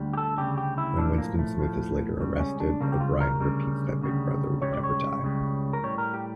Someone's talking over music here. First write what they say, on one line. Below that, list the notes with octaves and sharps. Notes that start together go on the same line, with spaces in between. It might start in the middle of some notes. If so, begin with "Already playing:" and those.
When Winston Smith is later arrested, O'Brien repeats that Big Brother will never die.
Already playing: D2 G3
G4
A4
D2 C#3 G3 G4
G4
E4
A2 F3 D4
A#3
A3
A2 F3
C#2 C#3 G3
C#4
D4
C#2 C#3 G3 A#3
G4
F4
A#4
D2 C#3 G3
D2 C#3 G3
C#2 C#3 G3 C#5
D5
C#5
C#2 C#3 G3
A#4
A2 G3 C#5
A#4
G4